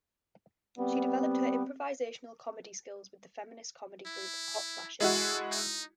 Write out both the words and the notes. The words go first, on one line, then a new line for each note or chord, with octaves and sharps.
She developed her improvisational comedy skills with the feminist comedy group Hot Flashes.
G3 B3 C4
E4
G#3 E4 F#4 A4
D#4